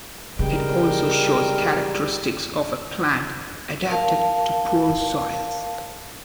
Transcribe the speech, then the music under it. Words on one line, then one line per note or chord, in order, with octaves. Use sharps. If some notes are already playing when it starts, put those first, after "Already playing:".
It also shows characteristics of a plant adapted to poor soils.
C#3 G3 G#3 A#4 G5
A#4 F5 A5